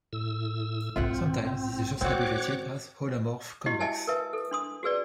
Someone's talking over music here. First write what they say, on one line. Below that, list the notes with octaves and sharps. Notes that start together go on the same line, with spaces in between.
Sometimes this is just abbreviated as "holomorph-convex".
A2 E6
B1 G#2 C4 F4 E5 F#5
G#2 C4 F4 F#4 C#5 D6 F#6
E4 F#4 G4 D#5
D#5 E5 G#5 A5
A#4 B4 E5
A4
D4 C6 D#6
F#4 G#4 B4 D5